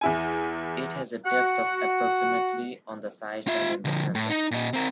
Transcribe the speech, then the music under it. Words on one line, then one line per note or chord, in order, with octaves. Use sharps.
It has a depth of approximately on the sides and in the center.
E2 E4 G#5
F#4 F#5
F4 E5
D3 F3
A2
D#4
A#2 D#5
C4 A#4